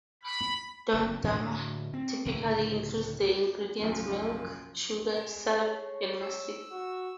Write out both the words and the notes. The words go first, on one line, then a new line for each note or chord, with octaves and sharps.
Dondurma typically includes the ingredients milk, sugar, salep, and mastic.
B5
F#1 F2
A2 D3 C#4 D4
C4
C#2 A2 D3
F#1 B1 F3
G#3
C#5
E6
F#4